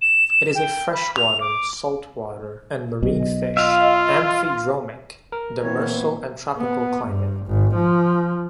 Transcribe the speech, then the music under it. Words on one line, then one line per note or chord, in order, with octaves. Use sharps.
It is a freshwater, saltwater and marine fish; amphidromic; demersal and tropical climate.
E7
G5
B5
F7
D6
B1 B2 D#5
F4 E5 F5
A#4
A#2 E3 B3 C4 C#5
B3
G2
G#1
F3